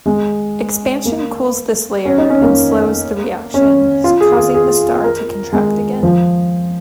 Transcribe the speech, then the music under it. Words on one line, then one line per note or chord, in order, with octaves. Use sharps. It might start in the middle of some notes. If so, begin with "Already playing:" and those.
Expansion cools this layer and slows the reaction, causing the star to contract again.
G#3
A#3
C#4
D#4
C#4
A#3
C#4
F4
G#4
G#4
G#4
A#4
G#3
F3